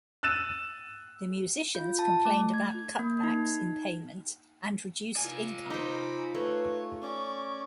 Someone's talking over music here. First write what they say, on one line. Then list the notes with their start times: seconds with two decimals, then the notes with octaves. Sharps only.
The musicians complained about cutbacks in payment and reduced income.
0.23 E6 F#6 A6 D#7 E7
1.75 F4
1.99 A5
2.25 A3
2.54 G#6
2.99 A#3
3.23 D#4
5.17 F4 G#5
5.70 D#4 C5 A#5 B5 D6
6.35 A3 B4 C#5
7.02 C#4 D5 C#6